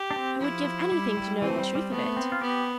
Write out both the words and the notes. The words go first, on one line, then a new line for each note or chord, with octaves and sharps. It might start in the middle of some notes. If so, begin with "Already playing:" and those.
I would give anything to know the truth of it.
Already playing: G4
D4
C4
F3 E4
G3
G3
E3 C4
A3
G3
G3
A3 B3
C4
F4
B3 G4